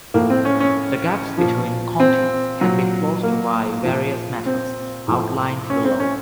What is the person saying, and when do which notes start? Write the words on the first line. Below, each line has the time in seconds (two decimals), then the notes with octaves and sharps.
The gaps between contigs can be closed by various methods outlined below.
0.14 A2 F3 A#3
0.30 C4
0.45 C#4
0.60 C#4
1.38 A#2 F3
2.00 C4
2.61 A#2 F#3
3.23 A#3
3.84 A#2 F3
4.46 C4
5.08 A2 F3
5.70 C#4
5.85 C4
6.00 C#4